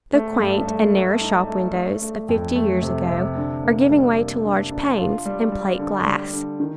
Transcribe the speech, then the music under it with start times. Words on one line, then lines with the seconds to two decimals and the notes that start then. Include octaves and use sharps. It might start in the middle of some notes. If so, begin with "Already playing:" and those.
The quaint and narrow shop-windows of fifty years ago, are giving way to large panes and plate-glass.
0.13 A3
0.40 G2
0.67 A3
0.94 A3
1.21 D#4
1.47 A3
1.75 A3
2.02 A3
2.29 F2
2.55 A3
2.83 C3
3.09 C3
3.36 D3
3.63 A#3
3.90 G3
4.17 A#3
4.44 D4
4.72 D4
4.98 F4
5.25 G3
5.52 G3
5.79 D3
6.06 G3
6.33 D3
6.60 D#3